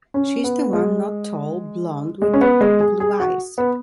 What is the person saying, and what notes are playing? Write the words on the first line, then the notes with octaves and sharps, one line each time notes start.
She is the one not tall, blond with blue eyes.
C#4
B3
G#3
G#3
C#4
B3
G#3
G#4
G#4
F#4
B3